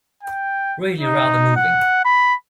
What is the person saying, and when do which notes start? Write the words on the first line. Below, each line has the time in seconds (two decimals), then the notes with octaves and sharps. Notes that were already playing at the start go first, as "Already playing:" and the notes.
Really rather moving.
0.23 G5
1.00 D#4
1.56 F#5
2.05 B5